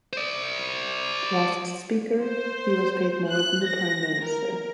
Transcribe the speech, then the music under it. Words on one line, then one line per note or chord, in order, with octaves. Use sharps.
Whilst Speaker he was paid more than the Prime Minister.
C5 D5
C5
F#6
A#6
A#4